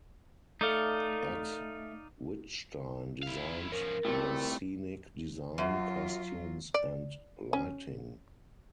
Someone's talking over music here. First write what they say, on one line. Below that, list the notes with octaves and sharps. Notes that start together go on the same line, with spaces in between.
Ed Wittstein designed the scenic design, costumes and lighting.
A3 D#4 D5 F5
E4 F5
F3 C#4 A#4
A2 C3 G3 A3
F#2 F#3 F4
D5
C#4